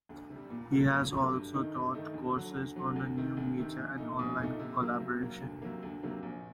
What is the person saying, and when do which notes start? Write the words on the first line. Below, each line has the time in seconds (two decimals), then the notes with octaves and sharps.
He has also taught courses on new media and online collaboration.
0.09 D2
0.30 C3 G3
0.50 A#2
0.72 F#3 A3
0.92 A#2
1.12 F#3 A3
1.32 G2
1.54 D#3 A3 D#4
1.74 G2
1.94 D#3 A3 D#4
2.14 D2
2.35 D3 F#3
2.56 D2
2.76 D3 F#3
2.96 D2
3.17 C3 D#3
3.37 D2
3.58 C3 D#3
3.78 A#1
3.98 A#2 A3 D#4
4.19 A#1
4.39 A#2 A3 D#4
4.59 C3
4.80 F#3 A#3
5.00 C3
5.21 F#3 A#3
5.42 D2
5.62 C3 F#3 A#3
5.83 D2
6.03 C3 F#3 A#3
6.23 A#1